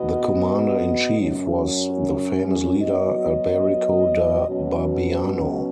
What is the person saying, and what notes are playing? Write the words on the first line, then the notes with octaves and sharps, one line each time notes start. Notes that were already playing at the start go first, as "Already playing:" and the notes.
The commander in chief was the famous leader Alberico da Barbiano.
Already playing: B2 B3 F#4 D#5
F#2 F#3 C#4
F#3 B3 F#4 D#5
B2 F#3 C#4 F#4